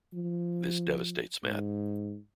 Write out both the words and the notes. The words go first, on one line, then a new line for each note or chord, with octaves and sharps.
This devastates Matt.
F3
G#2